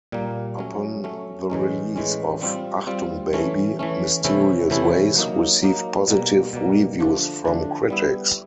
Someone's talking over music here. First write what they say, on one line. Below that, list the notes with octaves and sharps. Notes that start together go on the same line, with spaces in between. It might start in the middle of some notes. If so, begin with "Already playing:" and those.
Upon the release of "Achtung Baby", "Mysterious Ways" received positive reviews from critics.
A#2 G3 A#3
F#3 A3 C#4
F#3 A3 C#4
A2 E3 G#3 C#4
A2 E3 G#3 C#4
G3 C4 F4
G3 C4 F4
E3 A3 C#4
E3 A3 C#4
C3 E3 A3 C#4 E4
C3 E3 A3 C#4 E4
F#3 A#3 D#4
F#3 A#3 D#4
B2 G3 A#3
B2 G3 A#3
D3 F3 A3 D4
D3 F3 A3 D4
G3 B3 E4